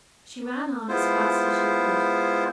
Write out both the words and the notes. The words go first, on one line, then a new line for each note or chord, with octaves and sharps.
She ran on as fast as she could.
G#3 B3 E4 F4 C5